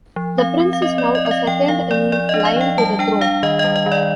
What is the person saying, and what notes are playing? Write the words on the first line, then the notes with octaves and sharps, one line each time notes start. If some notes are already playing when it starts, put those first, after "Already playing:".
The Prince is now a second in line to the throne.
F3
C4 F5
C4
F5
C4 D#5
D5
C4
D#5
C4 D#5
F5
F3 G5
F3 F5
F3 D5
F3 D5
D#5
D4
D#5
F5
F3 G5
G3 A5
D4 G5
D4 F5
D#3 D#5
D#5
G3
D#5
D#3
D5